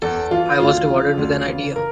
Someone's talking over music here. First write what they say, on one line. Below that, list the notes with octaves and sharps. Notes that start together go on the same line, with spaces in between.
I was rewarded with an idea.
E2 A4
E3 F4
D2 F4
C#3 F3
D2
C#3 E3
A#4